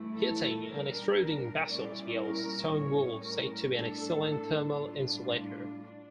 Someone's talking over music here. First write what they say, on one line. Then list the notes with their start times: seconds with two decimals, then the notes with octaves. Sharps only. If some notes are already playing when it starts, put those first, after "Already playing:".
Heating and extruding basalt yields stone wool, said to be an excellent thermal insulator.
Already playing: G2 E3 A3 E4
0.14 A4
0.65 A#2 G3 D4 A#4
1.68 A#2 G3 C#4 E4 D5
2.20 A#4
2.71 A2 G3 C#4 C#5
3.22 A#4
3.74 A2 G3 D4 A4
4.77 A2 G3 D4 F4
5.80 D4